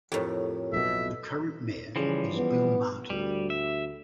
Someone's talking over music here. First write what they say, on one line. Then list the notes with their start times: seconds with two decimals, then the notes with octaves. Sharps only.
The current mayor is Bill Martin.
0.12 F2 A2 G4 A#4 C#5
0.73 B1 B2 E5
1.96 C#3 E3 F3 G3
2.36 B3
3.10 D2 G3
3.50 E5